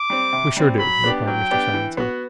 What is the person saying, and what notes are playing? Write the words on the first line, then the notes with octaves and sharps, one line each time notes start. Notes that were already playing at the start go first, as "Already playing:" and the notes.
"We sure do," replied Mr. Simonson.
Already playing: D6
G3 C4
C3
G3 C4
F#3 B5
B3 D4 G4
F#3 G5
B3 D4 G4
E3
B3 F#4